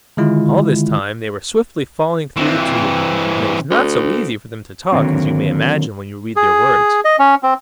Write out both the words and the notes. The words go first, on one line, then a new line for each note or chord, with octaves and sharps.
All this time they were swiftly falling through the Tube, and it was not so easy for them to talk as you may imagine when you read their words.
D3 D#3 G#3 E4 F4
E3 C4
D2
D3 D#3 F#3 A#3 C4
G#4
D#5
C#4
C4